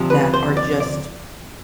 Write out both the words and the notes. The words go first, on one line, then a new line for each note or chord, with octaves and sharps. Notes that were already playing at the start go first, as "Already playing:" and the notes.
that are just
Already playing: D2 C3 F3
B4
C5
D5
D5